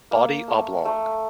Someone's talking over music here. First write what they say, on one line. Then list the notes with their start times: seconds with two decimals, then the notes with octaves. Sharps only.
Body oblong.
0.11 A#3
0.48 A3
0.85 A3